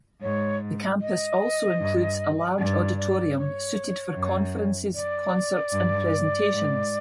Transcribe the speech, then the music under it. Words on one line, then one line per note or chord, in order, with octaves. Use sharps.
The campus also includes a large auditorium suited for conferences, concerts and presentations.
G#2 C#5
D#5
G2
G2 D5
D5
C#5
F#2
D5
G2
G#2